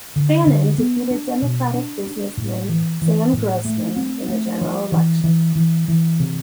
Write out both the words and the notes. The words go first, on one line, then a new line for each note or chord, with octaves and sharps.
Fannin defeated Democratic businessman Sam Grossman in the general election.
D3
D3
B3
D4
B2
D4
D4
A2
E3
E3
A2
A3
C4
A3
F3
E3
E3
E3
E3
C3